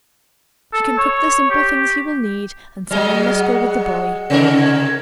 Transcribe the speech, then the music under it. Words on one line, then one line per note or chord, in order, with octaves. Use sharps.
She can cook the simple things he will need and some one must go with the boy.
A4
C#5
G4
F#3 G#3 D#5 F6
F#5
F#5
C3 D#3 A#4
G#6